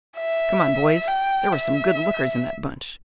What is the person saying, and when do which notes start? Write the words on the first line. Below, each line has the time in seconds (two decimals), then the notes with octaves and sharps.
"Come on, boys--there were some good lookers in that bunch."
0.17 E5
1.08 G5
1.53 E5